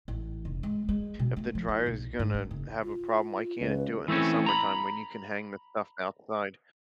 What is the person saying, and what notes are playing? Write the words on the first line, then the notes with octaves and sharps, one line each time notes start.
if the dryer is gonna have a problem, why can't it do it in the summertime when you can hang the stuff outside?
A1
F1
G#3
G#3
B2
A3
F3
E4
B1
G#2
D#4
F#1
F4
C#2 B4
E3 A3 C4 C#4
A#5 B5